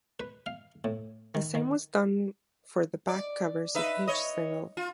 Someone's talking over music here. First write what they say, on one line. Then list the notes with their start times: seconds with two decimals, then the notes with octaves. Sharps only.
The same was done for the back covers of each single.
0.20 B4
0.46 F5
0.84 A2
1.35 D#3
1.55 D#3
3.09 D5
3.75 D#4 B4 E5
4.08 C#5 D#5
4.77 F4